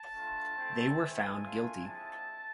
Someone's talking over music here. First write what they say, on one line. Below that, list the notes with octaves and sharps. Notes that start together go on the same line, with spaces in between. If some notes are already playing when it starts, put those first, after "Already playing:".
They were found guilty.
Already playing: A5
A3 D4 F4
A3 C4 E4
A3 C4 E4 G#5
A3 D4 F4
G#3 C4 E4 A5